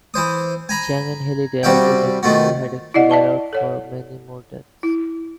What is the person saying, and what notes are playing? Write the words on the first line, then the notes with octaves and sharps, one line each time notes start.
Chang and Halliday argue that Mao had actually allowed for many more deaths.
E3 C5 D#6
G#5 A#5 B5
C3 G3 F#4 E5 F5 G5
D#3 A3 F4 F#4
E4 D5 D#5 F#5
D5 E5 A5 C#6
A4 C#5 F#5
E4